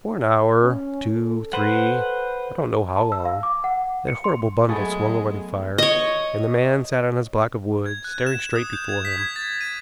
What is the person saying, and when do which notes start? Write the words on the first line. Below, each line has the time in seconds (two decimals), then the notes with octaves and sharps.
For an hour--two, three, I don't know how long--that horrible bundle swung over the fire, and the man sat on his block of wood, staring straight before him.
0.62 C#4
1.11 A4
1.53 B4 C5 F#5
2.97 A5
3.12 E6
3.25 F5
3.43 D6
3.64 F#5
4.08 C#7
4.24 C6
4.69 F#3 G#3 A3 B3 G#4
5.78 C#5 D#5
7.86 G#6
8.04 F#6
8.26 E7
8.56 D#6
8.73 G6
8.89 G#6
9.05 B6
9.18 G#6
9.36 A6
9.61 D#7